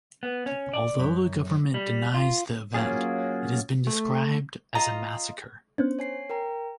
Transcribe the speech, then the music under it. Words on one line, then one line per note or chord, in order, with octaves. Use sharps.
Although the government denies the event, it has been described as a Massacre.
B3
C#4
D5
F#2
G3
F4
F#3 A#3 C#4 F4 G#4
A3
F4 D#5 A#5
B3 C#4 D4 C5
C#5 G#5 C7
A#4 G5 A#5